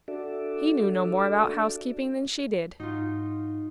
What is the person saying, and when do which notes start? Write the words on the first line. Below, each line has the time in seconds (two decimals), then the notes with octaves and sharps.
He knew no more about housekeeping than she did.
0.08 D4 F#4 A4 D5 E5
2.80 G#2 D#4 F4 F#4